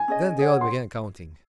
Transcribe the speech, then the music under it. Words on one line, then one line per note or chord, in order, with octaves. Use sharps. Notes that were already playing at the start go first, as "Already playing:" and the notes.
Then they all began counting.
Already playing: G#5
C#4 G#4 D#5
G#4 C#5 F#5
C6